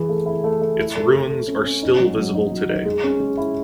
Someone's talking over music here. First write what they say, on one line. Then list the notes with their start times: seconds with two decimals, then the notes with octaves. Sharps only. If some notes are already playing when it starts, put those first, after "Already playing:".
Its ruins are still visible today.
Already playing: E3 G#4
0.09 A3
0.26 E4
0.44 A3
0.62 A3
0.79 E4
0.96 A4
1.13 A4
1.30 A4
1.47 C#4
1.64 C#4
1.82 D#4
2.00 F#3
2.17 F#3
2.34 D#4
2.52 F#3
2.69 D#4
2.85 G#3
3.04 C#4
3.20 G#3
3.37 E4